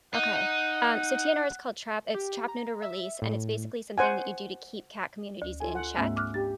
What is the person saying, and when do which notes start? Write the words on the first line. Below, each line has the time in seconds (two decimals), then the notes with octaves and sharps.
Okay. Um, so, TNR is called trap it's trap, neuter, release, and it's basically something that you do to keep cat communities in check.
0.14 D#4 F#5
2.14 G4
2.48 A#5
2.82 E5
3.22 A2
3.98 C5 F#5 G#5
5.42 D2
5.60 F4 A4 G#5
5.75 F#5
5.97 G#2 A3 B3 C#4 E5
6.17 D6 F6 F#6
6.34 D4 G4 A6